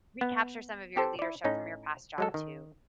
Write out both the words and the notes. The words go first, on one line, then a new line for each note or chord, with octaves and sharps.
recapture some of your leadership from your past job, too.
B3
C4 G4 A4 C5
E4 D5
A2 C#4 D#4
F#3 G#3 A4
D#3